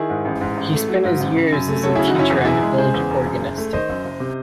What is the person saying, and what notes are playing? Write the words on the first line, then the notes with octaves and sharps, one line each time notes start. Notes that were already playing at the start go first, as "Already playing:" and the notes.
He spent his early years as a teacher and a village organist.
Already playing: D#3 E4 G#4
G#2
A1
G#2
A1
A3
F#3
G#2
A1
C#3
F#2
A3
F#3 A4 C#5
C#3 E4 G#4
D#4 F#4
F#2 C#4 E4
E2 G#4
F#4
E1 E4 G#4
G#3
C#3 G#4 C5
E2
E1
F#2
F#1
A3
D#3 C5 D#5
F#2
F#1
C3